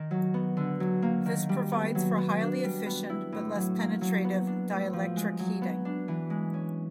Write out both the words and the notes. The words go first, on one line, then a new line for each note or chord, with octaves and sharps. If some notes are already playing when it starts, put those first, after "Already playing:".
This provides for highly efficient, but less penetrative, dielectric heating.
Already playing: D#3
F#3
B3
D3
F#3
A#3
D#3
G3
B3
F#3
B3
D4
G3
B3
E4
A2
F#3
A#3
F#3
B3
D4
A2
F3
G#3
F#3
B3
D4
E3
G#3
C#4